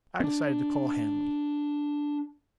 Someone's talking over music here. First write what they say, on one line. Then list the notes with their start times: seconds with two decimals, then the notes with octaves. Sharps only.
I decided to call Hanley.
0.20 C4 D4